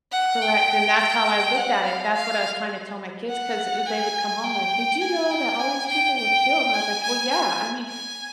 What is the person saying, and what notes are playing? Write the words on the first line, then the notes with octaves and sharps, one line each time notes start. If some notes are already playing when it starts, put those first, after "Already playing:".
Correct, and that's how I looked at it, that's what I was trying to tell my kids 'cause th they would come home like, "Did you know that all these people were killed?" And I was like, "Well, yeah," I mean,
F#5
G5
G5
F#5
F5
F5
F#5
G#5
G5
G#5
G5
G#5
G5
G5
G#5
G#5
G#5
G#5